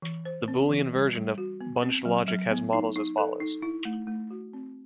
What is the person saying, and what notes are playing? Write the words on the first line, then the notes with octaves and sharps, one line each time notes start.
The boolean version of bunched logic has models as follows.
E3
C5
C4
E3
G3
G3
F#4
B3
C4
F#3
F#3
B3
D#4
D#4
A4
D#4
E4
A3
A3
F#4
C4